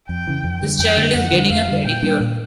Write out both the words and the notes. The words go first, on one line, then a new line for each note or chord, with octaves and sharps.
This child is getting a pedicure.
F2 G5
C#3 E3
F2
D3 G3
F2 G5
D3 G3
F2 F#5
D3 G3
F2 F5
D3 G3
A#2 G5
G3 A#3 D4
A#2